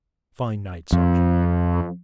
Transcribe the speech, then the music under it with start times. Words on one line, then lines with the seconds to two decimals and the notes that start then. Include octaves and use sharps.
'Fine night, sergeant.'
0.92 F2